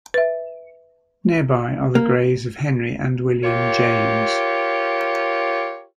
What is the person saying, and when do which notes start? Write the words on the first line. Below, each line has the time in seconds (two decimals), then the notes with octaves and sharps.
Nearby are the graves of Henry and William James.
0.14 B4 E5
1.95 A#3
3.43 F4 G4 A#4 C#5